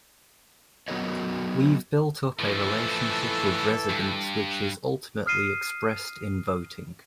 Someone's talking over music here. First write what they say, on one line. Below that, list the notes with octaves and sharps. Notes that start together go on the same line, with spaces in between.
We've built up a relationship with residents which is ultimately expressed in voting.
F#3 B3 F#4 A#4 C#5 D#5
A2 E3 F3 A4
G2
D#6 F6 C7 D#7